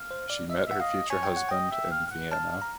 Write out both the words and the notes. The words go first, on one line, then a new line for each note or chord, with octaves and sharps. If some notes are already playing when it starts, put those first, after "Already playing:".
She met her future husband in Vienna.
Already playing: F5
C5
D5
D#5 E5
F5
E5 F#5
D#5 F5
C#5 G#5
G5
C#5
F#5
D#5 G5
E5
F5
F5
F#5
F5 A5
F5
A#5